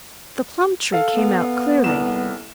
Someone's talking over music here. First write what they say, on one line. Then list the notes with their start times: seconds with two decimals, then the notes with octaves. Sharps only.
The plum tree came out clearly.
0.92 A4 F5
1.15 B3
1.84 D#1 C2 E7